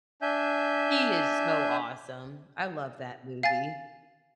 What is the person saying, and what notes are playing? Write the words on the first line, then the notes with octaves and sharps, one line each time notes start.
He is so awesome. I love that movie.
D4 E5 G#5 G6
F5 G#5 A6